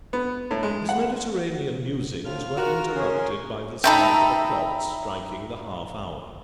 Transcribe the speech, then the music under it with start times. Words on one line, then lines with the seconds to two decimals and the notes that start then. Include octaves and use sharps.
His Mediterranean musings were interrupted by the sound of a clock striking the half-hour.
0.13 B3
0.51 A2
0.63 G#3
0.89 F#5
2.25 D2 A2 F3 F4 F6
2.57 F#4 A#4
2.96 C#4 G#4 G#5 C6
3.84 D#4 A4 E5 G5 A#5 B5